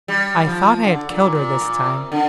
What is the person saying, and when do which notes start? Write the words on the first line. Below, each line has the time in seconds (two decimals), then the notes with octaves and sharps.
I thought I had killed her, this time.
0.08 G3
0.46 F3
0.84 D3
1.10 A#2
1.35 A#2
1.61 A#2
1.86 C3
2.12 D3